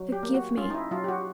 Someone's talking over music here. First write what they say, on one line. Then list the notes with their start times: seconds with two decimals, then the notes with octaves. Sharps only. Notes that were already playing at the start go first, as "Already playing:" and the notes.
Forgive me!
Already playing: F#3
0.12 G4
0.23 A#3
0.34 F#4
0.57 C#4 F4
0.70 D#4
0.74 E4
0.91 F#3 F4
1.04 G4
1.08 F#4